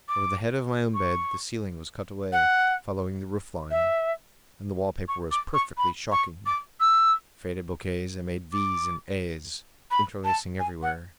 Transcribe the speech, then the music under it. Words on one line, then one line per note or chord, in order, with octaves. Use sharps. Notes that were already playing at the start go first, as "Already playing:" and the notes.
Over the head of my own bed the ceiling was cut away, following the roof-line; and the wallpaper was perfectly shocking--faded bouquets that made V's and A's, interlacing everywhere.
D6
C#6
F#5
E5
C#6
D6
C#6
B5
C#6
D6
E6
D6
B5
A5
G#5
F#5